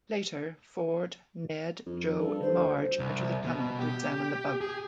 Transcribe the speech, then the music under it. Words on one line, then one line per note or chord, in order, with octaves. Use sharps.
Later, Ford, Ned, Joe and Marge enter the tunnel to examine the bug.
F2
G2 A4
C5
D2
C2
B2
G4
G#4